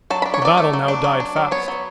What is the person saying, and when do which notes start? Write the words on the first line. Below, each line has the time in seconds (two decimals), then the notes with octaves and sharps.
The battle now died fast.
0.10 F#3 A5
0.22 B5
0.25 D4
0.34 C#5
0.42 F#3 D5
0.57 A3
0.73 F#3
0.88 D4
1.04 F#3
1.20 D4
1.36 F#3
1.51 B3 C#5
1.68 F#3